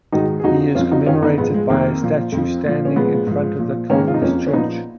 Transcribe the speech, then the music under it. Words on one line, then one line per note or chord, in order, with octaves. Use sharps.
He is commemorated by a statue standing in front of the Calvinist church.
G#2 D#3 D#4 F#4
G#4
F2 F3 D#4 F#4
F2 F3 C#4 F4
D#4 F#4
F#2 D#3 C#4 F4
B3 D#4
G#2 F3 G#3 B3
G#3
F2 D#3 A#3
A#2 F3
F2 F3
A#2 F3
C#4
A#2 F3 G#3 B3
G#2 F3
A#2 F3
G#2 D#3 A#3 C#4
F4
D#4
F2 F3 A#3 C#4
C#4
A#2 F3 B3 D#4